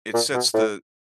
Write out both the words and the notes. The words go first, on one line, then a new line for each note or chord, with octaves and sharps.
it sets the
A#2
B2
A2